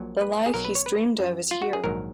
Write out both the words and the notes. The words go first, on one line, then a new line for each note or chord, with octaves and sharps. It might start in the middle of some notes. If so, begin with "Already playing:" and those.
The life he's dreamed of is here.
Already playing: A#1 A#2 F#3
B4
G#4
B1 B2 F#3 A#4
B4
C#5
B4
F#2 F3
F4
F#4
G#4
A#1 G#2 D#3 F#3 A#4